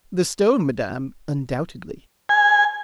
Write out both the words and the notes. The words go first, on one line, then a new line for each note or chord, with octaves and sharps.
"The stone, madam, undoubtedly."
G#5